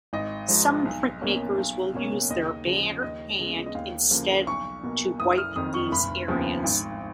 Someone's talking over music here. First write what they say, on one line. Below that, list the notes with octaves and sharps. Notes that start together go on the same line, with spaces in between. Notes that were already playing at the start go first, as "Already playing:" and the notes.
Some printmakers will use their bare hand instead to wipe these areas.
G#1 D#5
G#2 F3
B1
B2 A#3 C#4
B1
B2 A#3 C#4
D#2 D#5
C#3 F3
D#2 D#5
C#3 G#3 B3
D#5
D#2 F5
C#3 F3 A#3
B1 C#6
B2 A#3
F#1 D#6
F6
F2 D#3 D#6
C#6
F1 B5
D#2 C#3 F3 B3
G#1